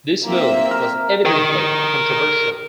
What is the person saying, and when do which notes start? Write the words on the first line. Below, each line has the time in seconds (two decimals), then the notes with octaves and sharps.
This move was evidently controversial.
0.24 A#3 C4 E5
0.71 A#4
1.26 A#4 G5